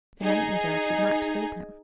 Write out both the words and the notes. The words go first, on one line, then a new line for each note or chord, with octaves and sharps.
The nightingales had not told him.
D#4 G#4